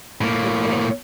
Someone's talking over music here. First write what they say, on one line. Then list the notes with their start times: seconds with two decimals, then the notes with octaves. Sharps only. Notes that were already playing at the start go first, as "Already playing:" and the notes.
And It.
0.21 A2 A#3